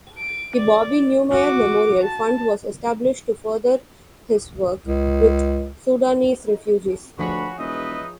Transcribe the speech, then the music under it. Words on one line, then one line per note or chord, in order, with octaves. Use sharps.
The Bobby Newmyer Memorial Fund was established to further his work with Sudanese refugees.
D7
D5
F#4 D6
A5
C#2
D2 F3 F#4 G#4 B4 C#5 B5
E1 D#4 B4 D#5 E5